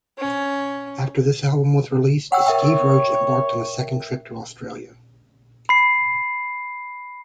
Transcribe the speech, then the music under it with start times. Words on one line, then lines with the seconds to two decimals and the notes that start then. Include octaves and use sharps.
After this album was released, Steve Roach embarked on a second trip to Australia.
0.18 C#4
2.32 C#5 F#5 G5 E6
2.46 A#4 E5 G5
5.69 B5 C7